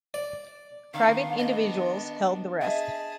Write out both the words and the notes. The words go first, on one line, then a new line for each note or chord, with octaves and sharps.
Private individuals held the rest.
D5
D#3 B3 D4 F5
D#5
G#4 D#5 E5 A5